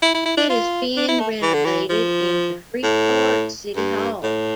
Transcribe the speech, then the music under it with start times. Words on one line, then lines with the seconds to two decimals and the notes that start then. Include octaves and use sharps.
It is being renovated into Freeport's City Hall.
0.02 E4
0.14 E4
0.25 E4
0.37 D4
0.50 F4
0.96 D4
1.08 E4
1.20 A3
1.43 E3
1.54 D3
1.65 E3
1.89 F3
2.83 A2
3.76 G2
4.23 A2